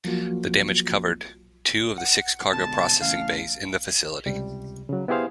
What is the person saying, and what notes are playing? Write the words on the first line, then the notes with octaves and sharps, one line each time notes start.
The damage covered two of the six cargo processing bays in the facility.
F3 F#3 A#3 F4 F#4
F#5
B2 D3 G#3 A5
A2 C#3 E3 F5
C#2 C3 G3
C#3 F#3
B3 E4 G4 G#4 C5 F5